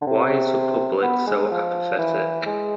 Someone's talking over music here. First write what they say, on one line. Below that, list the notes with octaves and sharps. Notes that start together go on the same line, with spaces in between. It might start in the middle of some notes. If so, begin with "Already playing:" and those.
Why is the public so apathetic?
D3
C3
B3
G#3
F3
E3
G#3